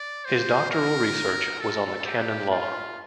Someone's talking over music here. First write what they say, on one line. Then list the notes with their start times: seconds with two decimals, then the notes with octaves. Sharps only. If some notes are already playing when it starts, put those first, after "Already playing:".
His doctoral research was on the Canon Law.
Already playing: D5
0.25 C5
0.71 A#4
1.61 A4
2.06 G4
2.51 F4